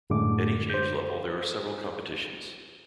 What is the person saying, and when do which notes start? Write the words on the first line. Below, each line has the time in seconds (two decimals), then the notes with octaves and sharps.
At each age level there are several competitions.
0.10 F#2 A2 D3 G#3 A3 D6
0.70 C5 G6